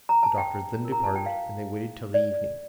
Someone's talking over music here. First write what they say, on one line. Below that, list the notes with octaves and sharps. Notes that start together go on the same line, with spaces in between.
The doctor then departed, and they waited till the evening.
A#5
A5
G5
F4 A#4
A#5
A5
G5
F5
D5